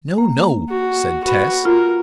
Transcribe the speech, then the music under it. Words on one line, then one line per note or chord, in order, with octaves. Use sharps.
"No, no!" said Tess.
A#3
F#4
F#4 B4
F4 A#4